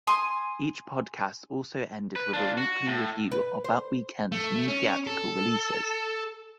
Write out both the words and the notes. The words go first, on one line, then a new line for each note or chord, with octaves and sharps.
Each podcast also ended with a weekly review of that weekend's new theatrical releases.
G#5 C6 D#6
B4
D4 F4
F#4
A2
B4
C5
A3
C#4
A4